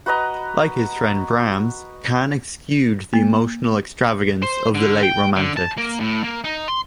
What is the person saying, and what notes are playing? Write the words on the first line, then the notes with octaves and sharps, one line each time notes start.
Like his friend Brahms, Kahn eschewed the emotional extravagance of the late Romantics.
F#4 B4 D#5 A#5
A#3
C5
D3
G5
D3
A5
A#3
A2
A#3
D#4
C6